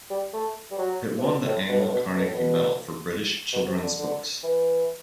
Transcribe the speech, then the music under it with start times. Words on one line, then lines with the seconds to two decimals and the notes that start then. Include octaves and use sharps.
It won the annual Carnegie Medal for British children's books.
0.10 G3
0.33 A3
0.71 G3
0.79 F#3
1.18 C3
1.24 B2
1.46 A2
1.69 B2
1.79 A2
1.91 B2
2.15 B2
2.24 A2
2.35 B2
3.53 B2
3.67 C3
3.83 D3
3.99 D3
4.43 E3